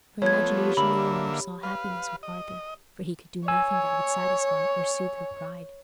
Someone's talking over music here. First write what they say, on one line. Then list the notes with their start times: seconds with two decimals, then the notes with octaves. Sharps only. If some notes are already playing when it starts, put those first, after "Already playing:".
Her imagination no longer saw happiness with Arthur, for he could do nothing that would satisfy or soothe her pride.
0.22 F3 A3 B3 C#5 G#6
0.58 G4
0.77 D3 A#3 E5 B5
1.63 B4 F5
2.23 D#5
3.48 C#5 G#5 E6